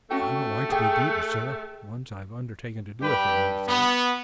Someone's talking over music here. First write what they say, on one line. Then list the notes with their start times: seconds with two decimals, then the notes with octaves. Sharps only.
"I don't like to be beaten, sir, once I've undertaken to do a thing," he said.
0.10 A3 C#4 F#4 G5
0.69 G4 G#4 G5
3.02 G2 G4 B4 G5
3.68 B3